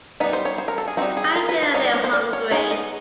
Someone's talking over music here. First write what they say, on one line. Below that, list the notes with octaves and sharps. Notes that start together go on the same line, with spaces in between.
I'm feeling a little hungry.
G3 B3 D#4 B4
C5
C#5
C5
A#4
A4
G#4
G3 C4 D#4 F#4
G#4
A#4
B4
C5
G3 B3 D#4 C#5
D5
C#5
C5
D5
C#5
G#3 B3 D#4 C#5
D#5